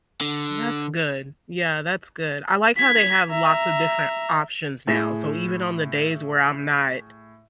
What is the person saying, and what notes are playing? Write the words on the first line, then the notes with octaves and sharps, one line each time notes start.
That's good. Yeah, that's good. I like how they have lots of different options now, so even on the days where I'm not,
D3
G#6 B6
E5 A#5
A2 G#4